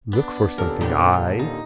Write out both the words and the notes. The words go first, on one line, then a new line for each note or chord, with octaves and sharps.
Look for something I.
B3 D4
D#1 A4 A#4
A#2 D3 G4
D#4